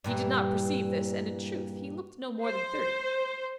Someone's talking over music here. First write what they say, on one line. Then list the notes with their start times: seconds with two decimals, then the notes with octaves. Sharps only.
He did not perceive this, and in truth he looked no more than thirty.
0.04 G2 A#2 E3
2.45 C5